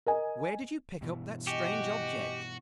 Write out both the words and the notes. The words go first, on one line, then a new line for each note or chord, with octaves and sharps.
'Where did you pick up that strange object?
A#4 D#5 G#5
G2 B2 E3
F#4 G4 D#5 G#5